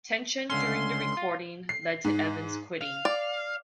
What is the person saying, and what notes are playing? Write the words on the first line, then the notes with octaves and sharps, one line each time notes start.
Tension during the recording led to Evans quitting.
C#2 D3 C#4 C6
F4
C7
G#2
F5
D5